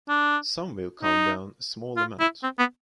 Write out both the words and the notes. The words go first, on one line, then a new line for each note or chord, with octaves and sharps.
Some will come down a small amount.
D4
D#4
F4
E4
C4
B3